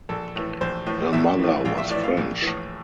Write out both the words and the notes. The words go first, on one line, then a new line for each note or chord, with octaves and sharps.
Her mother was French.
A#1 A4
A2 E3
A#1 C5
A2 E3
A#1 E5
A2 E3
A#1 F5
E5
A2 E3 D5
F5
A#1
A2 E3